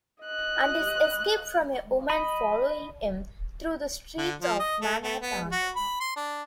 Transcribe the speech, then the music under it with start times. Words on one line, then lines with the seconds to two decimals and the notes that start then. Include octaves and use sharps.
And his escape from a women following him through the streets of Manhattan.
0.23 D#5 F#6
2.10 D#5 B5
4.18 D3
4.42 F3
4.59 D#5
4.82 A3
5.03 A3
5.22 B3
5.52 F#4
5.76 B5
6.00 C6
6.16 D4